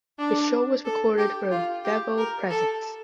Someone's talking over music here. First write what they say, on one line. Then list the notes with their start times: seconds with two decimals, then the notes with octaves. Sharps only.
The show was recorded for a Vevo Presents.
0.18 D4
0.85 A4
1.18 G4
1.51 F4
1.85 G4
2.18 A#4
2.50 A4